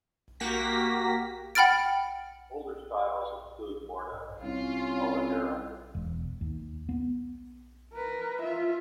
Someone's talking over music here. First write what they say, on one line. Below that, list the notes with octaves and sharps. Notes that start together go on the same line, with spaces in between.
Older styles include "morna" and "coladeira".
A#3 F#4 G4 A#6 B6
F#5 G5 B5 F6 A6 D7
C2 C#4 F4
E1
D#2
B3
A#4 B4
F4 E5